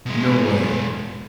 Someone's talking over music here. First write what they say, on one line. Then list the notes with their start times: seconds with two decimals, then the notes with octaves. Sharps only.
No way.
0.06 B2 G#3